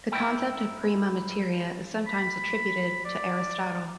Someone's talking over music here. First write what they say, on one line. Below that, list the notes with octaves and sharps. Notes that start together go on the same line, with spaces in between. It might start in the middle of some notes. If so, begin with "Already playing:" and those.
The concept of prima materia is sometimes attributed to Aristotle.
G#2 E4 G5
B5
D5